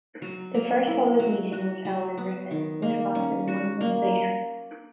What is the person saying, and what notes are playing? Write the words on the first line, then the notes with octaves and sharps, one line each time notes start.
The first public meeting was held in Ripon, Wisconsin one month later.
F#3
A#3
E4
F#3
F#4
F#3
B3
D#3
A#3
C#4
F#4
A#3